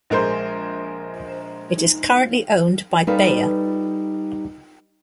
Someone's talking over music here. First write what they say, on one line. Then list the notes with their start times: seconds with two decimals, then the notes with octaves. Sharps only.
It is currently owned by Bayer.
0.10 A#1 G#3 A#4 C5 C6 G6
3.07 G3 D#4 A4 B4 F5